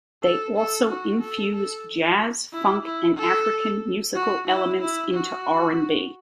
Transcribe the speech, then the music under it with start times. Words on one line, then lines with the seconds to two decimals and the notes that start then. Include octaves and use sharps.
They also infuse jazz, funk, and African musical elements into R and B.
0.23 A4
0.57 A4
0.89 F#4
1.21 A4
1.55 A4
2.53 E4
2.85 E4
3.17 A4
4.15 F#4
4.48 E4
4.81 E4
5.14 F#4